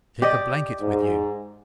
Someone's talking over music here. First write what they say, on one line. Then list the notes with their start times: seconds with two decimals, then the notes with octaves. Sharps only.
"Take a blanket with you."
0.22 G4 D5 D#5
0.81 G#2